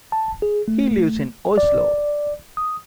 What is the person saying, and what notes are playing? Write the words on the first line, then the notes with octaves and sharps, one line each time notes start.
He lives in Oslo.
A5
G#4
A3
D5
D#6